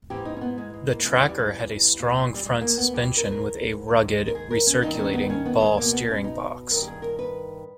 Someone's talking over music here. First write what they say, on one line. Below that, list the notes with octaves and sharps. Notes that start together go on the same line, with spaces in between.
The Tracker had a strong front suspension with a rugged recirculating ball steering box.
G#2 E3 G4
D#4
C#4
B3
G#3
G#3
A#3
E2 C#3 E3 G#3
G3
G3
G3
A#2
G3
G#3
A#3
B3
G2 E3 G4
A#4
B4
A#4
G#2 D#3
A#4
G#4
A#4
C#4
G2 D#3 D#4
D#4
C#4
B3
C#4
B3
G#3
E2 B2 A#3
B3
C#4
D#4
G2 D#3 A#4
G4
G#4
A#4
B4